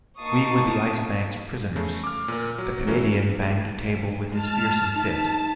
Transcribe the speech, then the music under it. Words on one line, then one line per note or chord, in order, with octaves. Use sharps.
We were the Ice Bank's prisoners! The Canadian banged a table with his fearsome fist.
A#3 D#4 A5 C#6 D#6 C7
C#3 A3
D6 F6
A#2 A#4
F#3
C#3 E3 F#3 C#4
G#3 A5 F6
D#4 E5 A5